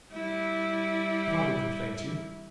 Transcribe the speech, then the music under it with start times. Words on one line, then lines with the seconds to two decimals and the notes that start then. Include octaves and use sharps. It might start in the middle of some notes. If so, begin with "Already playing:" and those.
But I won't complain to you!
0.13 G3 E4